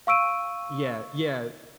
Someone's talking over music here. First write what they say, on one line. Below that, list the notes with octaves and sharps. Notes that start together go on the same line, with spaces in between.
Yeah, yeah.
F5 C#6 E6 D7 D#7